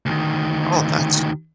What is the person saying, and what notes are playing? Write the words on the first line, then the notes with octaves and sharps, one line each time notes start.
Oh, that's
D2 D#3